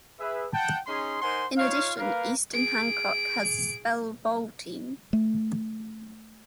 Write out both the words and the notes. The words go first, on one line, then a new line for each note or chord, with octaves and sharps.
In addition, Eastern Hancock has a Spell Bowl team.
G#4 B4 E5
F#5 G5 A5
C#4 D#4 G#4 C6
D#4 A#4 C5 F#5 G#5 C6
D#4 F4 C#5 F5
A#3 A#4 B4 F5
G#4 D7
A3